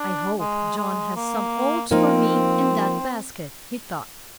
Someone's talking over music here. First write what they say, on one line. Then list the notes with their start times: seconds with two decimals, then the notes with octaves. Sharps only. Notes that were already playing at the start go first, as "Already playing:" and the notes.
"I hope Johnnie has some oats for me in that basket," he thought.
Already playing: D4
0.40 G#3
0.77 G#3
1.16 A#3
1.91 F3 A#3 C4 D#4